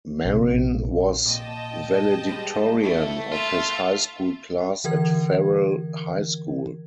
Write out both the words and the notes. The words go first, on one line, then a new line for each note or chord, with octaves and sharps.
Marin was valedictorian of his high school class at Farrell High School.
A#1 C3
A#2 D#5 G5 A5
G3 G#3
A3 E4
F4 E5
D3 E3 A#4 G#6